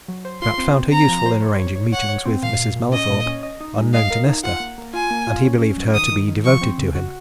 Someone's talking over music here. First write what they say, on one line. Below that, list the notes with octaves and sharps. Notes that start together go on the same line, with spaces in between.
Pratt found her useful in arranging meetings with Mrs. Mallathorpe unknown to Nesta, and he believed her to be devoted to him.
F#3
C5
F4 C6
C4
C4
C4 A#5
F3
C5
C#5
C#5
C#5
C#5 F#5
C#5
C4
A#2 F5
A#2
A#2
C#4 D#5
A#2
C#4
D#5
D#4
G#3
D#5 F5
A#4
D#4
F4 F#5
A#3
A#3
F4 G#5
A#3
F4
C#4
C#4
F#3
D#3 D#6
D#3
D#3
F3 C#6
C4
C#3
F#4